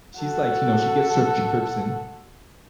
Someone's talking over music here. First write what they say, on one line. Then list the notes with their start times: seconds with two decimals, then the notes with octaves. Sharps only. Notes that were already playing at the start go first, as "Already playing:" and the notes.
she's like you know, she gets her chirps in,
0.20 F#4 A4